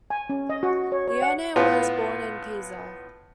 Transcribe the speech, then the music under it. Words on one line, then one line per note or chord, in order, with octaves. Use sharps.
Lione was born in Pisa.
G#5
C#4
D#5
F#4
C#5
C#5
F#5
A2 B3 F4